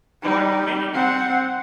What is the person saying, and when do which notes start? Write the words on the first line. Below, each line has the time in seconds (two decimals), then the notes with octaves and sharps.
Well, like, with me,
0.23 G3 D#4
0.94 C4 F#5